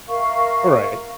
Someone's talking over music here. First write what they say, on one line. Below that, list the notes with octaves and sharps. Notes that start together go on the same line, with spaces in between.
All right.
A#4 E5 F5 C#6